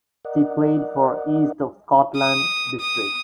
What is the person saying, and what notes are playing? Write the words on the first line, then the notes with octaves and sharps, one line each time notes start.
He played for East of Scotland District.
A#4 D5 D#5 F#5
D#6
D#6